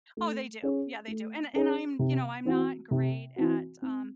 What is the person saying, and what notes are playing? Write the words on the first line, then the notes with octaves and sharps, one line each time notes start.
Oh, they do, yeah, they do, and and I'm, you know, I'm not great at, um
A3
C#4 G#4 C#5
A3
C#4 G#4 C#5
C3
E3 C4 F#4
C3
E3 C4 F#4
C4